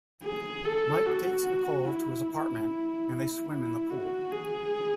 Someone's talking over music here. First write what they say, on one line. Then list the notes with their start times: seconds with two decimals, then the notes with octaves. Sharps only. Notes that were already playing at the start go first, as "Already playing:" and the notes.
Mike takes Nicole to his apartment, and they swim in the pool.
0.24 G#4
0.65 A4
1.06 F#4
1.87 E4
3.50 E4
3.91 F#4
4.32 G#4